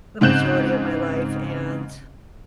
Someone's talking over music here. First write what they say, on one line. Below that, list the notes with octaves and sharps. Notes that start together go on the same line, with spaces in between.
the majority of my life, and
G#2 C#3 C4 F#6 G6 E7